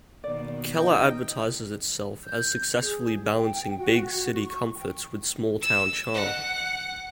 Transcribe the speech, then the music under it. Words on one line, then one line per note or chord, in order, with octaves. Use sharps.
Keller advertises itself as successfully balancing big-city comforts with small-town charm.
B2 D#3 A#3 D5
D#4 G5
G6
G#4
G5
F#4
C#6
G5
E6
F#5